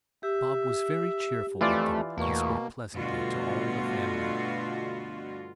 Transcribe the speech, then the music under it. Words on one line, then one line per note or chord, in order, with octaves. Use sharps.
Bob was very cheerful with them, and spoke pleasantly to all the family.
G4 E5
F2 E3 A3 F4 D5
E2 B2 A3 A#3 C#6
G2 B2 D3 A3 F4 F#4